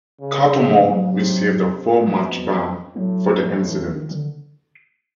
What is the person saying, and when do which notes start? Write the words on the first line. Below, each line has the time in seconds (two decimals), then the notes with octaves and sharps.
Cattermole received a four-match ban for the incident.
0.21 C#3
0.66 F3
0.89 F#3
1.12 C3
1.58 C3
2.04 B2 F3
2.96 A2 F#3
3.42 F3
3.65 E3
3.88 D#3
4.11 D3